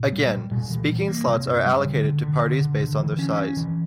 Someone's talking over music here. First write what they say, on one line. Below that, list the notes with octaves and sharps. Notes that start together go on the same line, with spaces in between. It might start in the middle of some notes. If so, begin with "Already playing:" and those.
Again, speaking slots are allocated to parties based on their size.
Already playing: A#2
G3
G3
A#2
E3
G3
A#3
C3
G2
G3
D3
D3
D3
D3
D3
D3
E3
C#4
C#4
E3